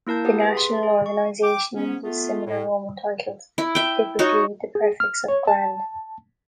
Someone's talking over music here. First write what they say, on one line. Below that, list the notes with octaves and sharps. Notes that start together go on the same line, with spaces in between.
The national organization uses similar Roman titles, typically with the prefix of "Grand".
A#3 E4 A#4 A5 G6
G4 F#5 D#6
G#4 B4 E5
C6
G#4
C#6
G5 D6
G#2 B3 C#4
A3 B3 F4
A2
E4
E5 G5
D#4 F#4 C#5
G#4
F6
C#5
A5